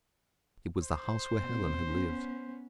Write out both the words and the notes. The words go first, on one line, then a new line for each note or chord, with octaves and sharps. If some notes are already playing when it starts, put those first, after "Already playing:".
It was the house where Helen had lived.
C5
B2 C4
B3 C#4